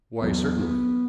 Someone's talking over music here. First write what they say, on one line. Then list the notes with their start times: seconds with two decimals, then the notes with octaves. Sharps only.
"Why, certainly."
0.22 E2 F#3 B3
0.59 B3